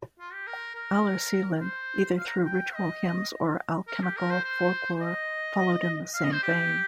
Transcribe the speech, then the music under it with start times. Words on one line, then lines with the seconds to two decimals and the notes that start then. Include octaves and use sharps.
Allerseelen, either through ritual hymns or alchemical folklore followed in the same vein.
0.20 F4
0.33 G4
0.47 A#4
0.75 A#4
1.61 C5
2.18 F5
2.28 A#5
2.46 G5
2.75 D#5
3.88 A#4
4.03 G4
4.17 A#4
4.31 C5
4.44 C5
5.01 D#5
6.14 F5
6.24 D#5
6.33 C5
6.43 G4